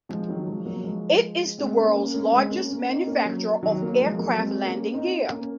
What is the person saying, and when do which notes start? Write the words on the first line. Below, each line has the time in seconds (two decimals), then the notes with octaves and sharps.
It is the world's largest manufacturer of aircraft landing gear.
0.09 F3 G#3
0.28 D#3 F#3
0.47 F3 G#3
0.66 F#3 A#3
0.84 F3 G#3
1.58 G#3 C4
1.77 A#3 C#4
1.96 A#3 C#4
2.14 A#3 C#4
2.32 G#3 C4
2.51 A#3 C#4
2.69 A#3 C#4
2.89 C4 D#4
3.07 A#3 C#4
3.25 F#3 A#3
3.63 D#3 F#3
3.82 F#3 A#3
4.01 F3 G#3
4.18 F#3 A#3
4.38 G#3 C4
4.65 A#3 C#4
4.93 C4 D#4
5.31 A#3 C#4